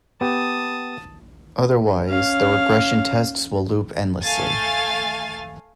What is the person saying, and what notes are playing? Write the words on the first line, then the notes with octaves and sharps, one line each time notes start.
Otherwise the regression tests will loop endlessly.
B3 G4 A5 D#6
C#4 F5
A3 F5 G#5 A6